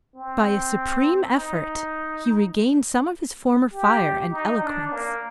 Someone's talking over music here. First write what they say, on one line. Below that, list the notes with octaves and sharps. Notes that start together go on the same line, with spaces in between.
By a supreme effort he regained some of his former fire and eloquence.
C4
D#4
G4
D#4
D4
A#3